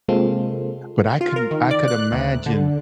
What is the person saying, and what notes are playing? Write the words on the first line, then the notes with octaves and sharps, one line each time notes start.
but I can I could imagine
C3 G#3 A#3 C4 F4 A4
F4
A#4
D#3
D5
F#6
D2
D3